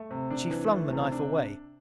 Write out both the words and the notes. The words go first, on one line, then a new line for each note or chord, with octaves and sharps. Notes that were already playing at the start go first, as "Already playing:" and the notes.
But she flung the knife away.
Already playing: A3
C3
D4
E3
A3
C3
D4